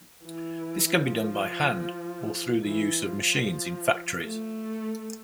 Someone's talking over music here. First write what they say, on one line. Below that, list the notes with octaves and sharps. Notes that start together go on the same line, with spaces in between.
This can be done by hand or through the use of machines in factories.
E3
F3
E3
F3
A3